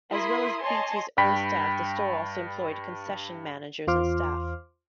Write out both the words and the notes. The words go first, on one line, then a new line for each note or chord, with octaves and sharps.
As well as Beatties own staff the store also employed concession managers and staff.
E4 A#4 B5 C6 D#6
C#5 D#5 G#5 A5 C6
G2 G5 B5 B6
E2 F4 C5 C6 D6 F6